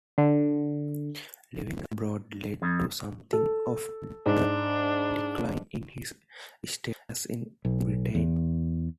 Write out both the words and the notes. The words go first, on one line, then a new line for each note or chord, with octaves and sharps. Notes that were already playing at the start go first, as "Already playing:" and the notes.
Living abroad led to something of a decline in his status in Britain.
D3
F2
A4
G#2 D4
B1
E2